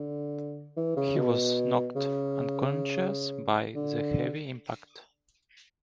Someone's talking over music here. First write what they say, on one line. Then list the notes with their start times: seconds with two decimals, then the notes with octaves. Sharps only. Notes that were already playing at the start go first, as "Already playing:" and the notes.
He was knocked unconscious by the heavy impact.
Already playing: D3
0.77 E3
0.97 C#3
1.17 B2
1.96 C#3
3.75 D3